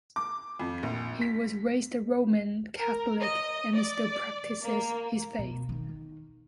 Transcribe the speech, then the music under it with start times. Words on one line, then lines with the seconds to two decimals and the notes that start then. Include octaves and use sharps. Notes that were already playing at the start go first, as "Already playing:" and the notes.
He was raised Roman Catholic and still practices his faith.
0.16 D6
0.59 F2
0.83 A#1
1.21 B6
2.76 A#4
3.21 D#5
3.74 D5
4.64 A#3
5.39 B2
5.69 D#3